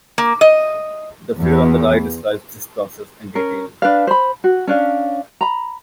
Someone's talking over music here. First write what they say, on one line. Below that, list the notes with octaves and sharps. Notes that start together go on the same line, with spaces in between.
The figure on the right describes this process in detail.
A#3
D#5
E2
C#4 A#4
D4 B4 F5
C5 B5
F#4
C#4 D4 F5
A#5 B5